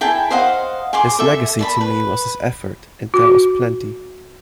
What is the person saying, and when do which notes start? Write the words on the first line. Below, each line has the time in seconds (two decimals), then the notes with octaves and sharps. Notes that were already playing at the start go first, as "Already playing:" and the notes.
His legacy to me was his effort, and that was plenty.
0.01 E4 G#4 G5 A5
0.31 C5 D#5 F5 F#5
0.93 G#4 C6 D6
1.19 A4 E5
1.59 D5 A5 B5
1.81 B4
3.14 F#4